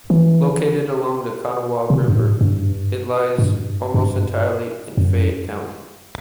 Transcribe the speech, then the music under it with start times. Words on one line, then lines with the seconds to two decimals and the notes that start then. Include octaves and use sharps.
Located along the Kanawha River, it lies almost entirely in Fayette County.
0.10 E3
1.90 C3
2.08 G2
2.15 A2
2.41 G2
3.38 A2
3.43 G2
3.94 G2
4.97 F#2